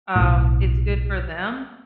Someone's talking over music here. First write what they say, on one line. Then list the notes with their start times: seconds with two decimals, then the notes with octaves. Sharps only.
um, it's good for them.
0.16 B1 A2